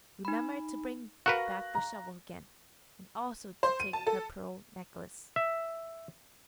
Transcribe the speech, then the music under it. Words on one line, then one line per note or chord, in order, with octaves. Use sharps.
Remember to bring back the shovel again, and also to take her pearl necklace.
D#4 B5
F#4 A#4 B4 F5 C#6 F#6 A#6 F#7
A#5
C5
D#7
A5
A4
E5